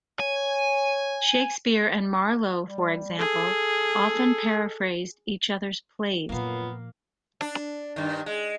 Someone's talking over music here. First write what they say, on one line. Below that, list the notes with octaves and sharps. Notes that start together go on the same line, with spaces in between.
Shakespeare and Marlowe, for example often paraphrased each another's plays.
C#5 G#5
G3
G#4 A4
F#2 A#2 F3 A#3 B3 F4 F5
D4
G2 D#3
G#3